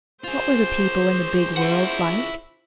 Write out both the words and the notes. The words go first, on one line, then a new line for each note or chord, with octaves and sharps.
What were the people in the big world like?
F4 G#4 C5
E4 F#5